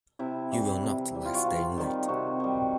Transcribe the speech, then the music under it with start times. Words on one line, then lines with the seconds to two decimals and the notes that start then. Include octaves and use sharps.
You will not like staying late.
0.19 C3 E4
0.52 E3 G3 E4
0.83 C3
1.14 E3 G3
1.25 F4
1.35 F#4
1.44 C3 F4
1.77 D#3 G3
2.08 C3 F#4
2.40 D#3 G3